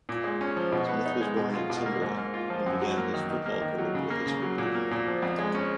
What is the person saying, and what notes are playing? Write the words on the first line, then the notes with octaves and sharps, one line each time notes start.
Smith was born in Sunderland, and began his football career with his home-town club.
A#2
G#3
C#4
F3
B2
B3
D#4
G#3
B2
F4
B2
A#3
G#2
A#3
F4
F3
F#2
F#3
A#3
D#3
D#3
A#3
D#3
F#3
C#3
A#3
C#3
F#3
A#2
A#3
A#2
F3
F2
G#3
C#4